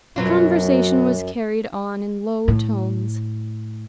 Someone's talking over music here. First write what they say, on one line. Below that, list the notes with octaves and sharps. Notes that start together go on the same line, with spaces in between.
The conversation was carried on in low tones.
F#2 B2 F#3 F4
A2